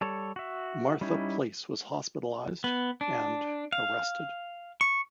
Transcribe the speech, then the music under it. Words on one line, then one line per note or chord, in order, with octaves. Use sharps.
Martha Place was hospitalized and arrested.
G3 A4 C#5
F#4 E5
G3 C#4 D#4 E4
B3
D4
F5
C#6